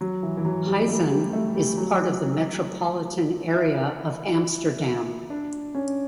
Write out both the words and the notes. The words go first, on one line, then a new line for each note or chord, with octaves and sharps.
Huizen is part of the metropolitan area of Amsterdam.
F#3
E3
E3
F#3
G3
A3
G3
A3
G3
F#3
E4
D4
C#4